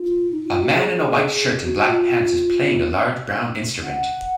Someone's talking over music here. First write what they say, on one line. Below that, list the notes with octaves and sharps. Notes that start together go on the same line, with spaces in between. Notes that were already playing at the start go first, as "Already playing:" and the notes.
A man in a white shirt and black pants is playing a large brown instrument.
Already playing: F4
D#4
F4
F#4
G#4
F#4
F4
F#5